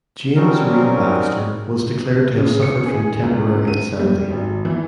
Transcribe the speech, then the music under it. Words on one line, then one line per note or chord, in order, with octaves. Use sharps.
James Reid Baxter was declared to have suffered from temporary insanity.
F#3 G3 C4 C#4 D#4 A#4
C#3
C#7
G#4
C#2
D#7
G3
G#1
E3